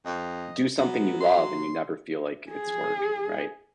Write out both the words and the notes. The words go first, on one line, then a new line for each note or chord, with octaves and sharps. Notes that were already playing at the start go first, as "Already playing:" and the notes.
do something you love and you never feel, like, it's work, right?
F2 D#5
F#3 B3
C6
G#4